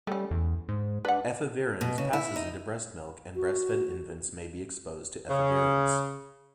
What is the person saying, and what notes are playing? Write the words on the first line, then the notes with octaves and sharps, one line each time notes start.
Efavirenz passes into breast milk and breast-fed infants may be exposed to efavirenz.
G3 A3 C#4
E2
G#2
D4 B4 F#5
B2
C#3
E4
D#4
F#4
C#3